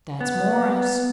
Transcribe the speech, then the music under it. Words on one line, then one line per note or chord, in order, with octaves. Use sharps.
That's Morris.
B3